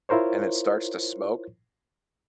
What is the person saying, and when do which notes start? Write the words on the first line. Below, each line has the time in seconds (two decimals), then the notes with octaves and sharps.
and it starts to smoke,
0.09 E4 F4 A#4 C5 C#5